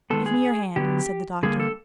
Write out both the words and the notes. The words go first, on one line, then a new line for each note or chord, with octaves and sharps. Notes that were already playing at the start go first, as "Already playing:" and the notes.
"Give me your hand," said the doctor.
D#3 G#3 B3 A4
G#4
D3 F#3 B3 G4
D3 G3 A#3 G#4
A4